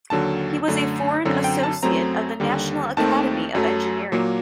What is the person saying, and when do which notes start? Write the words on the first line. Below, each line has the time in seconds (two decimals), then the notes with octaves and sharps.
He was a Foreign Associate of the National Academy of Engineering.
0.10 D#2 D3 F#3 A5
0.68 F#2 D3 A3
1.25 F#2 D3 F#3 C4
1.44 G5
1.63 A5
1.83 F#2 F#3 A3 C4 A#5
2.40 D#2 D3 G3
2.97 D#2 D#3 A3 C4 A5
3.55 F#2 F#3 A3
4.12 A#2 F#3 A#3